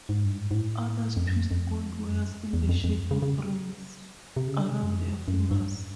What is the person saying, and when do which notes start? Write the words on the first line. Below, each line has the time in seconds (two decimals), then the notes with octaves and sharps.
Others twist gold wires in the shape of rings around their fingers.
0.09 G#2
0.24 G2
0.39 G#2
0.51 G#2
0.54 A2
1.16 F2
1.27 F#2
1.39 F2
1.51 F2
2.08 F#2
2.53 E2
2.69 F2
2.84 F2
3.11 C#3
3.22 C#3
4.36 C3
4.48 C#3
4.59 D3
4.71 C3
4.83 F#2
4.97 F2
5.28 F#2
5.51 G2